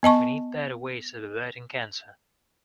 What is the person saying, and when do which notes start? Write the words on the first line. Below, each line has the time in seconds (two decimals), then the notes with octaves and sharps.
We need better ways of averting cancer.
0.03 B3 D#5 A5 C#6